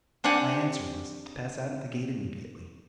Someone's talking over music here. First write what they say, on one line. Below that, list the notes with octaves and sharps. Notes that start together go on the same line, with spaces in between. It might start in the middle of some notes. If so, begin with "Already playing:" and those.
My answer was, to pass out at the gate immediately.
C4 D4 G4 F#5 G#5